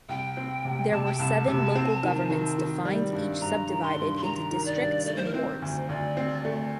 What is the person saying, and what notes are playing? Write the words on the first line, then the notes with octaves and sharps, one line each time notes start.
There were seven local governments defined each subdivided into districts and wards.
C2 G5
C4
C3
C3 A5
G5
C2 A5
C3
C4
D#3
D#3
D#3
G3
G2
G2 A#5
D#3
C6
G2
C6
D#3 A#5
D#3
D5
G2
A3 D5
C5
A#4
C4 C5
D2
D2 D5
C4
A3